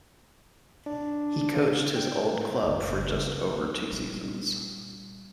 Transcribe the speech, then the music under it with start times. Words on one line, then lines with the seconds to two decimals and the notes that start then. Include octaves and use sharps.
He coached his old club for just over two seasons.
0.86 D4
1.96 G5
2.64 F#1 D#2
3.07 C#2 G#3
3.92 A#2 G3